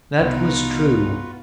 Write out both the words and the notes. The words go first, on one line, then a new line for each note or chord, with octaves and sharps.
That was true.
C2 B2 D#4 F4 F#4 B4